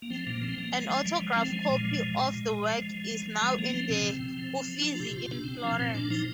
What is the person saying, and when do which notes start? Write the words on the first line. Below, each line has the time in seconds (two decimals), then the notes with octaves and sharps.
An autograph copy of the work is now in the Uffizi in Florence.
0.02 A#3
0.10 F3 C4
0.27 A#2 A#3
0.42 F3 C4
0.58 F3 A#3
0.73 F3 G#3
0.90 F3 G#3
1.05 F3 G3
1.21 F3 G#3
1.37 F3 C4
1.52 F3 G#3
1.69 A#2
1.85 F3
2.00 A#2
2.15 A#2
2.31 A#2
2.48 A#2
2.64 F3
2.79 F3
2.94 F3
3.11 F3
3.26 F3
3.42 F3 G#3
3.59 F3 A#3
3.74 F3 C4
3.89 C3 C4
4.05 C3
4.21 C3
4.38 F3
4.53 F3
4.68 F3
4.79 D#4
4.84 F3 D4
4.95 F4
5.00 C3 G4
5.15 C3 F4
5.31 C3 D4
5.44 C3 C4
5.55 D4
5.64 F3 C4
5.79 A#2 C4
5.94 A#2 D4
6.10 F3 D#4